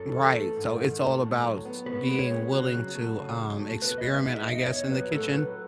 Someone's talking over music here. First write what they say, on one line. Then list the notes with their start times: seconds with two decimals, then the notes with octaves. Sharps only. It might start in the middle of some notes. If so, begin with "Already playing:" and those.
Right. So, it's all about being willing to, um, experiment, I guess, in the kitchen,
Already playing: F#2 A4
0.13 E3
0.35 A3
0.56 G#2
0.78 D#3
1.00 A3
1.21 A2
1.43 F#3
1.65 B3
1.86 B2 B4
2.08 G#3
2.19 C#5
2.31 C#4
2.52 C#3 F#4
2.74 F#3
2.95 A3
3.17 C#3
3.39 F#3
3.60 A3
3.81 B2 B4
3.98 D#5
4.03 G#3
4.14 E5
4.25 D#4
4.30 E5
4.47 E2 D#5
4.68 B2 C#5
4.90 F#3 B4
5.12 A2 A4
5.28 B4
5.33 F#3